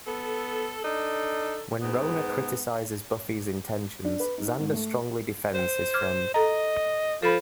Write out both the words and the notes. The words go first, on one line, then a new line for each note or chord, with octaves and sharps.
When Rona criticizes Buffy's intentions, Xander strongly defends his friend.
B3 A4
D4 D#4 A4
G#2 B3
D4
B4
D#4
G#2
A3
C5
D6 F6 G#6
A4 D#5 A#5
F3 A4 C5 B5